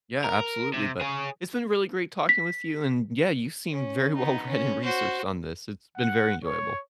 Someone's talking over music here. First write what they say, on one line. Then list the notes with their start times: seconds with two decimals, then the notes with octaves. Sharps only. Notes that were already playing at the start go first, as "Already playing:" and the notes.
Yeah, absolutely, but It's been really great talking with you, and, yeah, you seem very well read and researched on this. It's been very enjoyable.
0.24 A#4
0.74 C3
1.01 G#4 C#5
2.29 B6
3.73 C#4
4.16 B3 D#4
4.48 C#4
4.84 F#4 C5
5.97 F#5
6.45 C#5